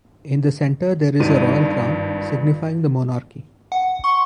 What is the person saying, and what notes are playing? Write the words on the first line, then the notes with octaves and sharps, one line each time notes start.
In the centre there is a Royal Crown, signifying the monarchy.
G#1 G2 F3 D#7
F#5
C6 C#6